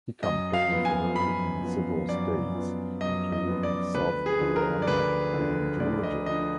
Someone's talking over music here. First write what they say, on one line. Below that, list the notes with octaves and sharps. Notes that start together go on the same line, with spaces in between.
He campaigned for her in several states, including South Carolina and Georgia.
F#2 D#5
F5
F3 B3
G#5
F#2 B5
F3 B3
F#2 D5
F3 B3
F#2 D#5
D#5
F3 B3
D5
D2 B4
G#4
D3 F3
A#4
D5
D2 B4
D3 F3
D2 D5
D#5
D3 F3 D#5